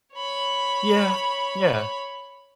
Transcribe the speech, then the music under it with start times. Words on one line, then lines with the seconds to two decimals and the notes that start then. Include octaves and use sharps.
Yeah, yeah,
0.14 C#5 B5